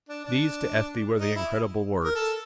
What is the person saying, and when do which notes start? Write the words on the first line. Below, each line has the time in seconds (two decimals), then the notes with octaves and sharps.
These to Ethne were the incredible words.
0.09 D4
0.25 D4
1.20 D#4
1.36 E4
2.05 A#4
2.15 A4